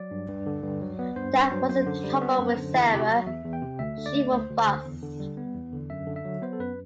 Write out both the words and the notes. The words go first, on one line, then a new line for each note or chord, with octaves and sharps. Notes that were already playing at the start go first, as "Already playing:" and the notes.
That was the trouble with Sarah — she would fuss.
Already playing: F#3 D5
G2
G2
D3
G2
F#3
B3
G2 C5
G2
C5
F#3
F#2 C5
D3
G3
B3
F#2
D3
E2 E4
C3 G4
F#4
F#3
E2 E5
E2
G5
C3
D2 E5
D3
D5
A3
D2 C5
D2
C5
D3
E2
D3
G3
B3
E2
D3
F#2 E5
D3
E5
F#3
B3 C5
A4
F#2 B4